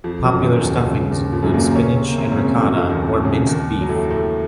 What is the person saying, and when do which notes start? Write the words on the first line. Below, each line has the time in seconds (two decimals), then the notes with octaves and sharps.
Popular stuffings include spinach and ricotta or minced beef.
0.04 F2 F3
0.24 F#2 F#3
0.39 D#3
0.46 F2 F3
0.60 D#2 D#3
0.75 C#3
0.90 C#3
1.10 D#2 D#3
1.32 F2 F3
1.43 F#2 F#3
1.54 A#2 A#3
1.64 C3 C4
1.75 C#3 C#4
1.97 C3 C4
2.08 A#3
2.18 C3 C4
2.32 C#3 C#4
2.46 C3 C4
2.55 A3
2.60 F#2 F#3
2.75 F2 F3
2.89 D#2 D#3
3.03 C3
3.25 C#3
3.47 D#2 D#3
3.81 F#3
3.89 A2 A3
4.10 A2 A3